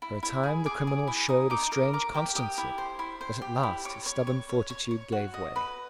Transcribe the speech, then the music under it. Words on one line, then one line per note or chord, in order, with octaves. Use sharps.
For a time the criminal showed a strange constancy: but at last his stubborn fortitude gave way.
E4
E4
G#4
G#4 D6
G#4
E4
D#4 D#6
D#4 D6
A#4 D#6
A#4 D6
G4 D6
G4 D#6
E4
C5
E4
C5
G4
E4
C#5 D6
C#5
C#5
C#5
C#5
C#5
F#4
D#5
B4